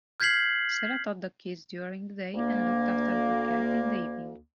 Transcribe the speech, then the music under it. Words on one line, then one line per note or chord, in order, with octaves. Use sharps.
Sarah taught kids during the day and looked after her cats in the evening.
F6 G6 G#6 B6 C7 F#7
D2 A#3